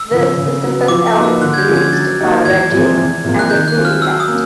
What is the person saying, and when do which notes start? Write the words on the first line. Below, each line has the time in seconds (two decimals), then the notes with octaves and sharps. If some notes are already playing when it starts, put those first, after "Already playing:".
This is the first album released by Reggie and the Full Effect.
Already playing: E6
0.11 C#3 F3
0.37 C#3
0.63 F#3 B3
0.88 F3 D6
1.07 D6
1.15 A#3 D#4 F#4 B4
1.24 E6
1.42 D3 F#6
1.54 G#6
1.58 G6
1.67 F3 G#3 C#4
1.76 G#6
1.93 F#3 A6
2.20 A#3 D#4 G4
2.45 E2 G#6
2.72 C3 F3 G#3 C4
2.97 E2
3.24 C3 F3 A#3
3.39 F#6
3.50 D#3 G6
3.68 F#6
3.76 G#3 C4 F4
3.85 F6
4.02 F#3 E6
4.20 D#6
4.28 A#3 C#4